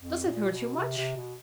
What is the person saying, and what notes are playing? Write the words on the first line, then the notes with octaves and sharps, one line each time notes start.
Does it hurt you much?
F2
A#2
B2
C3
C3
B2